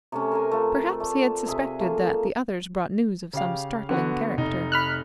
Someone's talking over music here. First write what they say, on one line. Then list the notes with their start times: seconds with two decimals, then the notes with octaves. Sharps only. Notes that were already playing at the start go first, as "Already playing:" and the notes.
Perhaps he had suspected that the others brought news of some startling character.
0.12 C3 A3 C#4
0.32 A#4 C5 G#5
0.51 A3 F4
1.00 A3 D5
1.47 C3 G#4 E5
1.80 A3 A#3 F4
3.33 C#3 G4 F5
3.89 D3 B3 F#4
4.37 F1 D#4
4.72 B5 F6 F#6